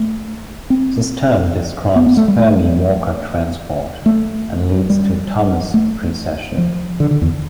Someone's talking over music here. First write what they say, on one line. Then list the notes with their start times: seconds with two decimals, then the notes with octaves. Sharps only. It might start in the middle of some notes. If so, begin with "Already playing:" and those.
This term describes Fermi-Walker transport and leads to Thomas precession.
Already playing: A3
0.70 C4
1.96 B3
2.06 B3
2.17 A3
2.28 G3
2.39 A3
4.06 A3
4.90 G3
5.74 A3
6.58 F3
7.00 D3
7.11 D3
7.22 E2